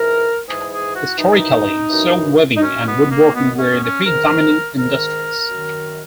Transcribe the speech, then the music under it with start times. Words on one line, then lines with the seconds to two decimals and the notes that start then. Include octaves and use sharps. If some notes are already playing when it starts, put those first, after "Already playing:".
Historically, silk weaving and woodworking were the predominant industries.
Already playing: G#2 E3 A#4
0.47 G#2 E3 G#4
0.71 G#4
0.95 F#4
1.18 F#2 E3 D#4
1.90 F#2 E3
2.56 D#4
2.61 F#2 D#3 C#4
2.86 B3
3.10 A#3
3.33 F#2 D#3 B3
3.53 B3
3.58 C#4
3.70 B3
3.82 C#4
4.05 G#2 D#3 A#4
4.77 G#2 D#3 A#4
5.49 F#2 D#3